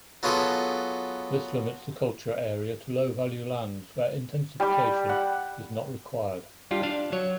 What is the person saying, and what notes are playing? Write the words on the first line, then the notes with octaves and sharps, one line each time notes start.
This limits the culture area to low value lands where intensification is not required.
F#3 B3 F4 G#4 A4
G3 G4
F#5
G3 D4 F4 G4
D4 F5 A5
F#3 C#5